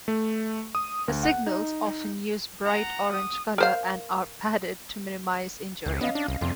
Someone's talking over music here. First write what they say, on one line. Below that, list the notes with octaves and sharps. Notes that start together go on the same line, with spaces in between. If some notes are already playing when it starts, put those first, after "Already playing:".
The signals often use bright orange color and are padded to minimize injury.
A3
D#6
D2
F#5
D#4
F#5 A#5
D#6
A#4 C5 F5
C#2
B3 C#4 D#5 F5
D4
C2
F1 F2 C3 C6